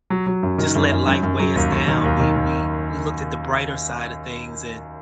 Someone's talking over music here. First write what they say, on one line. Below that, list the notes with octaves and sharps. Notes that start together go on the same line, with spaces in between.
just let life weigh us down, we we we looked at the brighter side of things and,
F#3
F#3
F#2
D#3
F#2
F#2
F#2
F#2
F#3
D#2
D#2
D#3
D#2
D#3
D#2